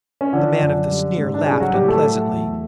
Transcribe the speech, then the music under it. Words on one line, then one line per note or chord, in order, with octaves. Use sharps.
The man of the sneer laughed unpleasantly.
C#4
D3 F3 D4
F#2
G3
G#2
D4
C#3 G3 C#4
F#3 F#4
A2 G3 G4
A3 A4
F#3 A3 A4
E2